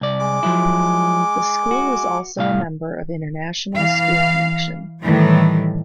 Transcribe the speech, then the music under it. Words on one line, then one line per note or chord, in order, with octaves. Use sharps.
The school is also a member of International School Connection.
C2 D5
G#3 D6
F3 F#3 E4
F#4
C2 A2 F5
E3 F5
A2 D#3 E3 G3